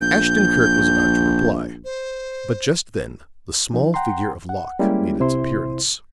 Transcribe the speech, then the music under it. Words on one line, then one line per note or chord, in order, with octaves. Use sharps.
Ashton-Kirk was about to reply; but just then the small figure of Locke made its appearance.
A#1 G6
C5
F3 D#4
F#5 G5 A#5 C6
F#5
G3 G#3 A#3 C#4 E4 G4
C2 C3 E4 C5 C6